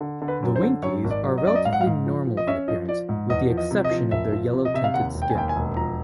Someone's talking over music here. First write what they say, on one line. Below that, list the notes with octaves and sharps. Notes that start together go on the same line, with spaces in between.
The Winkies are relatively normal in appearance with the exception of their yellow-tinted skin.
D3
D3
B4
F#2
C5
D3
F#2 C#5
G#1
D5
F#3
D#5
F#2 D5
D#5
G#2 F5
F#5
F5
G#2
F3
F3
D#5
C#4 E5
F3 D#5
F3 D5
G#2
E2 D#5
F3
D#5
C3
D#5
F3
F#1 E5
F3
C3
D#5
C3 E5
F5
D#2 F#5
E1
G5
G#5
D#2 G5
G#5
E1
F3 A#5